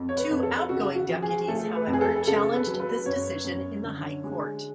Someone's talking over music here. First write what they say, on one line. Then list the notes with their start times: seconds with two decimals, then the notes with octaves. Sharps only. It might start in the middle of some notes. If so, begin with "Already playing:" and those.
Two outgoing deputies, however, challenged this decision in the High Court.
Already playing: F2
0.09 C#5
0.17 B4
0.31 F2
0.43 A4
0.69 C#3 F#4
0.95 F#4
1.09 F3
1.22 G#4
1.48 A3 A4
1.75 B4
1.87 F2
1.93 G#4
2.01 A4
2.27 C#3 A4
2.53 B4
2.67 F#3
2.80 B4
3.06 F#2 C#5
3.45 F#2
3.84 D3
4.24 G#3